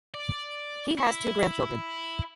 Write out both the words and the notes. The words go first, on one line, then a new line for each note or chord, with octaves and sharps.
He has two grandchildren.
D5
E4